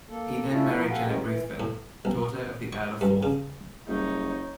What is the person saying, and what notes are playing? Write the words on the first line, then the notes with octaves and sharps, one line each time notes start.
He then married Janet Ruthven, daughter of the Earl of Forth.
A#3 A4
A3 C#4 D4 E4 F4
F3 E4 A#4 B4
G4 A4 F5 F#5 G#5
E3 F#3 G#3 C#4 G4 A#4
E3
A2
B1
C#6
G2
C#3
F#1 G3 D#4 G#4 C#5